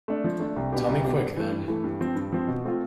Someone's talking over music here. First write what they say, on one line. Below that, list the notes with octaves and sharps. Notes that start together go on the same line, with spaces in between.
Tell me quick, then.
A3 D4
F3
A3 D4
C2
B2 B3 D4 G4
C2
B2 B3 D4 G4
G2
E3 A3
G2
E3 A3
G2
F3 C4
G2
F3 C4
B2
A3 C4 F4